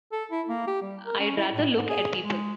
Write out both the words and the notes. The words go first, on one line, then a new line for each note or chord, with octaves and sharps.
I’d rather look at people.
A4
E4
A#3
G4
G3
A#4
C#4
E4
A2
G#2
G#4
G#3